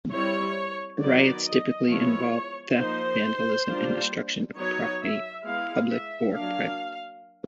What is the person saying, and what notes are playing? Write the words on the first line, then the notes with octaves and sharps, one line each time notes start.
Riots typically involve theft, vandalism, and destruction of property, public or private.
G3 C4 E4 C#5
D#3 F#3 B3 D#4 D5
D#5
F3 G#3 B3 E4 C#5
F3 A#3 D#4 C5
G3 A#3 D4 F4
F#3 B3 D#4 C#5
E5
G#3 B3 E4 F5
E5
F#3 A#3 D4 F5